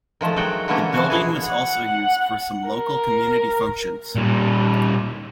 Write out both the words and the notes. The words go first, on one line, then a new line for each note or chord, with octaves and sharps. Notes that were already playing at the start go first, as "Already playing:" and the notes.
The building was also used for some local community functions.
D#3 F3 G#3 A3
F#3 G#3 F#4 G5
D3 E3 F#3 A3 A#3 C#4
E3 F3 F#4 F5
B2 E4 G#4
F#5
A#4
A#2 G3